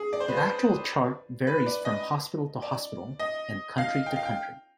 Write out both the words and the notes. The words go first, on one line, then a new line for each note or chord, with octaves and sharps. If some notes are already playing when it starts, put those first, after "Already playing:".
The actual chart varies from hospital to hospital and country to country.
Already playing: G#4
D5
C5
B4
C5
B4
D5
D#5
D5
D#5
F5
G5
F5
G5